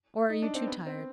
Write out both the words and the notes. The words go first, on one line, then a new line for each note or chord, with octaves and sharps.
Or are you too tired?
D#4
D4
C4
B3
C4